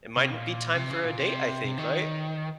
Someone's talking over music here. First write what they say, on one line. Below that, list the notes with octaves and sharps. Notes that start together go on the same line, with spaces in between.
it mightn't be time for a date, I think. Right?
C3
A#2
C3
C#3
A#2
C3
C3
D#3